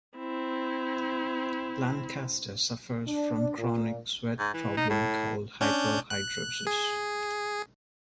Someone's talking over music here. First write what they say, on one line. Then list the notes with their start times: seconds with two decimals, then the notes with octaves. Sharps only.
Lancaster suffers from chronic sweat problem called hyperhidrosis.
0.17 C4 E4
3.08 D4
3.58 A#2
4.39 G#2
4.54 E3
4.77 D#4
4.90 A2
5.61 C#4 D4 G6
6.10 F#6
6.67 G#4